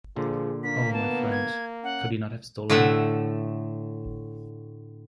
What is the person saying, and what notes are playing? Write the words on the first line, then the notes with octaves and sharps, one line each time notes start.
Oh, my friend, could he not have stolen it?
A#2 D3 F3 G#4
A#3 D4 B6
B3 A5
G#6
C#4 F#5
A2 D3 A3 E5 F#5